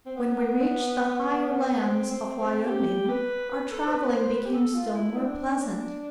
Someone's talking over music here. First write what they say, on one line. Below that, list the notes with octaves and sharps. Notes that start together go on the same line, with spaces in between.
When we reached the higher lands of Wyoming, our traveling became still more pleasant.
C4
B3
B3
C4
C4
C4
G4
B4
B4
A4
C5
B4
C5
B4
G4
A4
F4
E4
D4